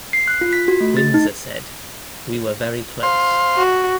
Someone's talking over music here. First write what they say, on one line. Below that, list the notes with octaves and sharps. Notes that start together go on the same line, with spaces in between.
Windsor said, We were very close.
C7
F#6
F4
B6
F#4
A3
A6
D#4
C5 F5 C6
F#4